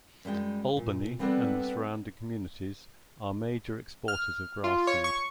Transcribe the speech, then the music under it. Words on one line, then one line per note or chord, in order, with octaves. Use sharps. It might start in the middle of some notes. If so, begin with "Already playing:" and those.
Albany and the surrounding communities are major exporters of grass seed.
F#2 G3 G#3 G5
A#2
G3 B3 C4 D4 A4 B4
F6
F4
C#5
C#6